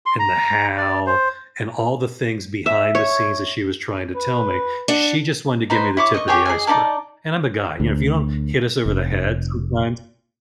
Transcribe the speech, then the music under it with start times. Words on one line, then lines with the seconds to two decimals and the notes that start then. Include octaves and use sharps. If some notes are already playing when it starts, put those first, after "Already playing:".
and the how, and all the things behind the scenes that she was trying to tell me, she just wanted to give me the tip of the iceberg. And I'm the guy, you know, if you don't hit us over the head sometimes,
0.06 C6
0.19 A#5
0.77 D5
1.06 C5
2.66 E5
2.95 C#5
4.16 B4
4.88 D4 F#5
5.70 D#4 B4 C5
5.97 E4 C#5 D6
6.14 D#5 C#6
6.28 G4 G#4 C#5 G5
6.46 G#4 D#5 G#5
6.67 D#4 E4 D5 A5
7.80 D2
8.86 F1